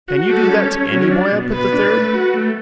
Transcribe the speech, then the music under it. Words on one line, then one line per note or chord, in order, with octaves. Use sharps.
"Can you do that to any boy up at the Third?"
F#4
G3 A4
C#4
C#4
F#3
D4
B2
B2 B4
D4
A3
F#4
A3